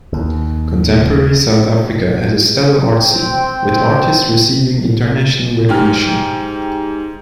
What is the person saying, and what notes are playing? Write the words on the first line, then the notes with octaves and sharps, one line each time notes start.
Contemporary South Africa has a stellar art scene, with artists receiving international recognition.
D#2
C4 G5
G#2 G4 F6